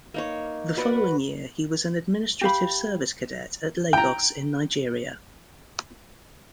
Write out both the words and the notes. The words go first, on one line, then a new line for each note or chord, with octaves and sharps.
The following year he was an administrative service cadet at Lagos in Nigeria.
A#3 D#4 C#5
F#4 B4 D5 F#5
G4 F5 B5
G5 A#5